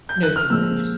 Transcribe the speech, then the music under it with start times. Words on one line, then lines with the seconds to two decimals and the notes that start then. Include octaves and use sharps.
Nobody moved.
0.09 G6
0.23 F#6
0.36 F6
0.50 A#2 F3 G#3 E6